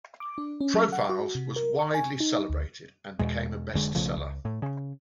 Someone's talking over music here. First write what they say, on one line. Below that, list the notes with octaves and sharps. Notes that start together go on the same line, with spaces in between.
"Profiles" was widely celebrated and became a best seller.
D6
D4
C#4
F#3
F#5
F#4
C3
A#4
C#6
G#5
D#4
D2
E2 B2 G#3
F1 D3 G#3
B1 C#3 F3 A3
C#2
A2
C#3